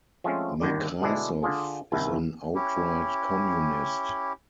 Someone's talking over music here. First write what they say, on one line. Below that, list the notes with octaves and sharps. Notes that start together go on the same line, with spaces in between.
Nekrasov is an outright communist...
F3 G#3 A3 C4 C#4
G1 D#2 D#3 D5
B2 D3 G#3 D4 E4
D3 D4 F4 G#4
G1 C2 D#3 E4
C#4 E4 G4